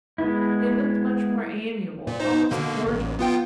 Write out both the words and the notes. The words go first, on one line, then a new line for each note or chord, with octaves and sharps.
They looked much more amiable, almost cordial.
G#3 B3 E4
A#2
D#4 C5
B2 D3 A#3
A1
B3 F4 G5